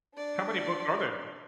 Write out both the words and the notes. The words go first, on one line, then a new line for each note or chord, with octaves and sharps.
How many books are there?
D4 D5